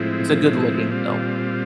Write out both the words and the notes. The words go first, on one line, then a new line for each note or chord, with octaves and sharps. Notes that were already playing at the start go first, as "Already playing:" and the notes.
It's a good-looking film.
Already playing: A2 F3 G#3 C4 E4
A#2 G3 C4 F4